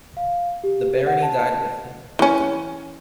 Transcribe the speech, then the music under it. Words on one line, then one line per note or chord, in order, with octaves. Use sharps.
The barony died with him.
F5
G4
F#5
A5
E3 C#4